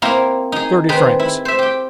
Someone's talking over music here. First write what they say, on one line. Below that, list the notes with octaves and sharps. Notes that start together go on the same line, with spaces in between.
"Thirty francs."
A#3 C4 E4 A#4
D#4 G#4
D#3 C4 G#4 B4
E4
C5 E5
G4 G5